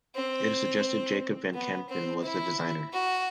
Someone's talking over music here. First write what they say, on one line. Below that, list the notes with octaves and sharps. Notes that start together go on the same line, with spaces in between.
It is suggested Jacob van Campen was the designer.
C4
B3
C4
E4
F#4